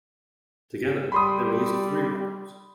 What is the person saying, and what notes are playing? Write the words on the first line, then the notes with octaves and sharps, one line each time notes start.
Together, they released three records.
G3 B5 C6 D#6